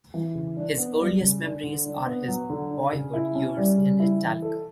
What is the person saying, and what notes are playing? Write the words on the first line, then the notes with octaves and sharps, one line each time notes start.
His earliest memories are his boyhood years in Italica.
E3
C#3
D4
B3
G3
C#3
D4
D3
D4
B3
F#3
D3
D4
C#3
E4
C#4
G3
C#3
E4
E3
A4